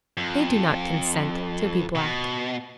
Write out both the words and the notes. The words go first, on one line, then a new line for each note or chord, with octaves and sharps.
They do not consent to be black.
F2
B2